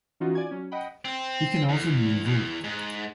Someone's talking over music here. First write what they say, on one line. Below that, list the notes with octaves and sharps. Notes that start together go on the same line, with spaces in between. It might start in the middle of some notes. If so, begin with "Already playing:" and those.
It can also be revoked.
E3 C#4 D#4 F4 F#4
D5 G#5 G#6
F#3 C#4
D#5 F#5 G5 B5
C4
E2
E2
G#2